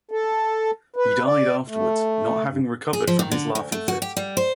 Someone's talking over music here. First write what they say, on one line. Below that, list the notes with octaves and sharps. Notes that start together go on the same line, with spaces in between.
He died afterwards, not having recovered from his laughing fit.
A4
B4
D5
A3
G2
G#4
F3
D#3
D3
D2
A3
F#4
G4
G3
C5